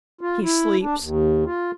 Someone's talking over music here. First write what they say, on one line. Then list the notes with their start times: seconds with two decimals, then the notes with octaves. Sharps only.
He sleeps.
0.21 F4
0.43 E4
0.82 D4
1.00 D#2
1.45 F4